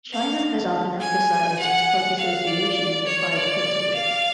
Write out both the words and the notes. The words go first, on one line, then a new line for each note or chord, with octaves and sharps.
China has often emphasized its close association with the Five Principles.
F5
G#5
F#5
F5
D5
C#5
D5
F5